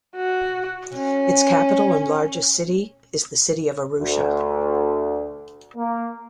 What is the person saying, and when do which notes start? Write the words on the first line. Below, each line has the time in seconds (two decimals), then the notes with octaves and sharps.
Its capital and largest city is the city of Arusha.
0.16 F#4
0.96 C#4
3.98 D2
5.76 A#3